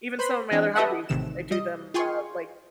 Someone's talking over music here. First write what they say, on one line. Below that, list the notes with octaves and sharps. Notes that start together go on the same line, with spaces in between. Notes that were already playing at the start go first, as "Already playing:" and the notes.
Even some of my other hobbies I do them, uh, like
B4 C5 B5 C6
E3 C4 D4
G4 A4 B4 D#5 E5 F#5
A1 C3 D#3 E7
G3 D#5
F4 G#4 G5 G#5 C6 C#6